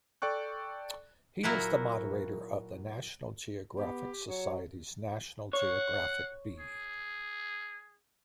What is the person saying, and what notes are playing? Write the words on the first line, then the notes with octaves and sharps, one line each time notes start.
He is the moderator of the National Geographic Society's National Geographic Bee.
A4 D5 G5 C#6 F#6
A#2 F#3 E4 F#4 A#4
B3 G4
F#3 C#5
C#5 F#5
G#4